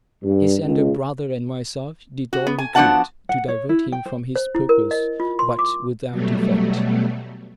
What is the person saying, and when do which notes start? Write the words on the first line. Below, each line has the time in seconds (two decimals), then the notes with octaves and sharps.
His elder brother and myself did all we could to divert him from his purpose, but without effect.
0.23 G2
0.63 C#2
2.33 F#4
2.47 B3
2.58 G#5
2.75 F3 B3 D4 F#4 F#5 A5
3.29 F#5
3.48 C#5
3.69 E4
3.92 G5
4.06 C5
4.36 C5
4.55 E4
4.69 A#4
4.91 D#5
5.20 F4
5.39 C6
5.59 D6
6.10 B2 F#3 G3 A3